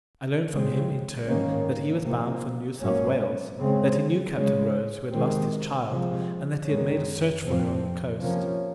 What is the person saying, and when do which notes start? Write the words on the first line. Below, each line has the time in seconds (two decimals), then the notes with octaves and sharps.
I learned from him, in turn, that he was bound for New South Wales; that he knew Captain Rose, who had lost his child, and that he had made a search for her on the coast.
0.50 C#3 G#3 C4
1.27 G#2 D#3 A#3 C#4
2.04 C3 F3 A#3
2.81 G#2 F#3 A#3 C#4
3.59 C#3 G#3 C4
4.35 C#3 G#3 C#4
5.12 C3 D#3 G#3 C4
5.89 C3 F3 G#3
6.66 F#2 D#3 G#3 C#4
7.43 F2 C3 F3 C4
8.20 C3 F3 A#3 C#4